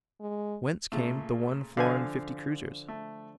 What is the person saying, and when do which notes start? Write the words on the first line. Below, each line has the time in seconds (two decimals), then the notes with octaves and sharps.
Whence came the one florin fifty kreuzers?
0.21 G#3
0.92 A#2 C#3 A3
1.77 D3 F3 F5 G#5
2.88 A3